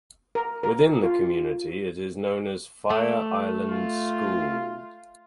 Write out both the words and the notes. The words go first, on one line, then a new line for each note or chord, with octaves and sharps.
Within the community it is known as the "Fire Island School".
A#4
A#4
F4
A3
F4